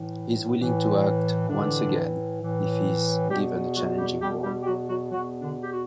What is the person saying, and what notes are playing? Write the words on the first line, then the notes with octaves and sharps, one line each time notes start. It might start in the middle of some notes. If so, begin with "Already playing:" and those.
He is willing to act once again if he is given a challenging role.
Already playing: A2 E3
A2 E3
A2 D3 E3 D4
A2 E3
E2 B2 G3 G4
F#3 F#4
G3 G4
E2 B2 G3 G4
G3 G4
G4
F#3 F#4
F#3 F#4
E2 B2 F#3 F#4
D3 D4
G4
F#4